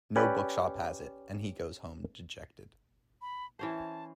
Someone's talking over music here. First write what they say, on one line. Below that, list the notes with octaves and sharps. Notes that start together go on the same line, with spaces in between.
No bookshop has it, and he goes home dejected.
C#4 G4 B4 D5
B5
E3 C#4 C5 A5